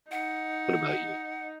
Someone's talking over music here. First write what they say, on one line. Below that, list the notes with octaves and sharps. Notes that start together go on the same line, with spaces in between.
What about you?
D#4 F#5